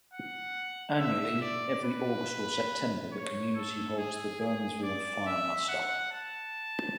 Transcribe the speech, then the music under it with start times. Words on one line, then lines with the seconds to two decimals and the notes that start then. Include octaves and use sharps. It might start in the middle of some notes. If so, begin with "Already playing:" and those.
Annually every August or September, the community holds the Burnsville Fire Muster.
0.13 F#5
0.99 E5
1.41 D5
1.84 B4
3.12 C#5
3.55 A4
3.98 G#4
4.41 G#4
4.83 D5
5.26 E5
5.69 F#5
6.12 A5